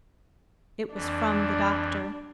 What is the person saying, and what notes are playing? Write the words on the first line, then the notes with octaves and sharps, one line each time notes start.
It was from the doctor.
F2 E3 D4